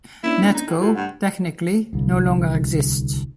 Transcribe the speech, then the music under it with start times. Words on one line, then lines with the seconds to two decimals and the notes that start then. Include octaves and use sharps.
Netco, technically, no longer exists.
0.23 A#3 C#4 D4 E4
0.42 E3
0.54 D#4
0.67 A2
0.80 A2 F4 G4 A4
0.95 G2 F#5
1.93 D1 C2